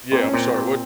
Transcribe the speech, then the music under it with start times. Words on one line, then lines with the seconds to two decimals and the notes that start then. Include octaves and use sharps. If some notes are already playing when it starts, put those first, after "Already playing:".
Yeah, I'm sorry, what?
0.12 A#2 C4
0.23 C#4
0.33 A#2 C4
0.54 A#2